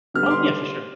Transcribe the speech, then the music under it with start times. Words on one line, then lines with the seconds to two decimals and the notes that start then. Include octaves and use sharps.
Oh, yeah, for sure.
0.14 D3 G3 B3 F6
0.26 D6
0.31 C6